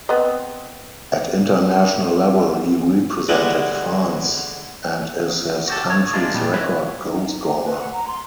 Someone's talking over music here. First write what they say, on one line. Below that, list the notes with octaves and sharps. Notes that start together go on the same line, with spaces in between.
At international level he represented France and is his country's record goalscorer.
B3 C4 D#5
D3 G3 G#3 B3 E4 F#4
F#4 G4 A4
C#5
E3 G#3 A#3 D4 F4
A#2 G3 B3
G#3 E4 B4
D#4
D#4
A#5
B4
F#5
A#5
C6